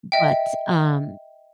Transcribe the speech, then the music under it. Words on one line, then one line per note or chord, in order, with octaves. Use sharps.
but, um,
D#5 E5 G5